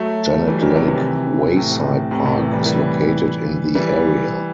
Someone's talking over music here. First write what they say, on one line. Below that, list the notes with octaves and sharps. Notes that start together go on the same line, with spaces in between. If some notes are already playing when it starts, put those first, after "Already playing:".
Janet Lake Wayside Park is located in the area.
Already playing: F#3 A3
E3 G3
D#3 F#3
C3 E3
C3 E3
A2 C3
A2 C3
A2 C3
C3 E3
E3 G3
E3 G3
E3 G3